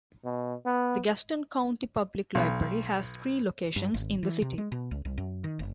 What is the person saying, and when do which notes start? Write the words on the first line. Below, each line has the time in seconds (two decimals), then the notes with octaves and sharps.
The Gaston County Public Library has three locations in the city.
0.25 B2
0.66 B3
2.35 B1
3.76 G2
3.94 G#1
4.23 E3
4.42 C3
4.58 G#3
4.72 B2
4.91 C#2
5.05 C2
5.18 F#2
5.44 D#3
5.59 F#1